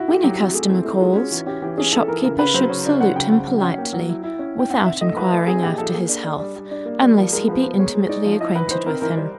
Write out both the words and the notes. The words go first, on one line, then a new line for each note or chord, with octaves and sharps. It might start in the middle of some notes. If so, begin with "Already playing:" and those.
When a customer calls, the shopkeeper should salute him politely, without inquiring after his health, unless he be intimately acquainted with him.
Already playing: E4 F#4
A3 G4
F#3 G4
C4 F#4
A3 G#4
C4 E4
A3 E4
G#3 F4
C#4 F#4
E3 F#4
C#4 G4
E3 G4
C#4 G#4
E3 A4
E3 A#4
C#3 A#4
C#3 B4
F#3 C5
C#3 C#5
C#3 D5
F#3 F#5
C#3 G5
C#3 F#5
F#3 F#5
G5
C#4 F#5
A#3 G5
F#3 F#5
E4
E4
C#4
E4 G5
C4 F#5
C4 E5
A3 D#5
F3 B4
A3
C4 G#4
A#2 G4
F3 A4
A#3 G#4
D4
D4
G3
G3
D4
A#3
G3
F3 A#4
G#3 A#4
F3 B4
B3 C5
G#3 C#5
G#3
D#4 D5
F3
E4 D#5
E3 B4
E3 C5
C4 A#4
E3 A#4
G3